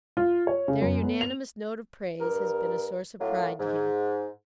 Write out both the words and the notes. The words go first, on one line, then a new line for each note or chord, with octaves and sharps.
Their unanimous note of praise has been a source of pride to him.
F4
C#5
C#3
F#2
B3
F7
G2 A#4
F#2 A2 F#3 A#3 F4
G#2